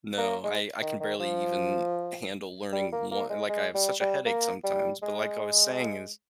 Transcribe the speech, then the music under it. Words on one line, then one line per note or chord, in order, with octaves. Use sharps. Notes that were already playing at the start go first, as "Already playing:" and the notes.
No, I I can barely even handle learning one like, I have such a headache sometimes, but, like I was saying is
A#3
G#3
D#3
D#3
F3
G3
A#3
A#3
G#3
G#3
G3
G3
A#3
G3
G#3